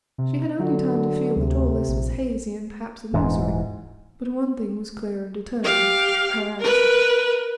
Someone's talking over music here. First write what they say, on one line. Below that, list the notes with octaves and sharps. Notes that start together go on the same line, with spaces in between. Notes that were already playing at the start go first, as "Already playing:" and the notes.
She had only time to feel that all this was hazy and perhaps illusory; but one thing was clear and determined--her answer.
C3
D3 F#3
D2 C3
A#1
D#1 G#2 E3
G4 F5
A#4 B4